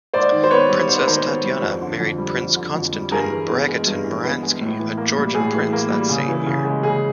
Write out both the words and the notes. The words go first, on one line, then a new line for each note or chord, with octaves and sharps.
Princess Tatiana married Prince Konstantin Bagration-Muhransky, a Georgian prince, that same year.
G#2 C5 D5
D#3
C5
B3 B4 C#5
G3
G#2 C5
B4
D#3 A#4 C5
B3
G3
F2
D3
F2
G3
F2
D3
F2
G3
G2 G#4 A#4
E3
B3
G#3
G2
E3
B3
G#3
A2
E3
A#3
G3
A2 G#4
E3
A#3
G3
C#3
E3
C#3
G#3
C#3 G#4